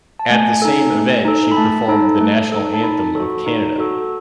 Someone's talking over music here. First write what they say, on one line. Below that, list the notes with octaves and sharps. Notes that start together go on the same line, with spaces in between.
At the same event she performed the national anthem of Canada.
A5
A3 G#5
D#4 A4
A3
D#4 A4
B5
A3 A5
D#4 A4
A3
D#4 A4
A5
D#4 B5
F#4 A4
D#4
F#4 A4